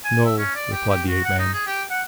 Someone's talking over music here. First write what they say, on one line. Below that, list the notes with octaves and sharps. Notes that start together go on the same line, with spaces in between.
"No," replied the ape-man.
G#5
E5
C#4
D5
G4
G4
F#4
F#5
D#4
G#4
G4
F#5